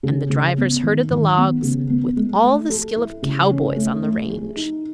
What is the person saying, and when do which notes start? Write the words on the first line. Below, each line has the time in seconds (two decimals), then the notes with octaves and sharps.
And the drivers herded the logs with all the skill of cowboys on the range.
0.03 C#3
0.30 C#3
0.58 B3
0.83 D#3
1.11 D#3
1.37 B3
1.63 C#3
1.90 B3
2.17 G#3
2.44 A3
2.70 A4
2.96 E4
3.23 C#3
3.50 C#4
3.76 A3
4.03 A3
4.30 G#4
4.56 D#4